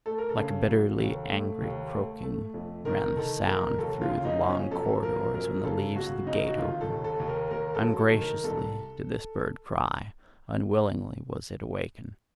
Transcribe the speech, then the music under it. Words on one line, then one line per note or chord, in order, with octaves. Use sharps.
Like a bitterly angry croaking ran the sound through the long corridors when the leaves of the gate opened: ungraciously did this bird cry, unwillingly was it awakened.
A3 A4
A#4
A4
C#3
F#3
D#2
A3
D#2
A3
A3
F2
D#3 A#4
D#3 A4
F2 A#4
D#2 A4
F4
C#3
D#4
F3
C#4
F#2 A4
F3 A#4
F#2 A#4
C#3 A4
C#2 F#4
C#3 D#4
F#4
D#3 F4
A4
D#2
A4
D#2
A#4
D#2 A#4
A4
F#3
A4
D#3
A#4
C2 A4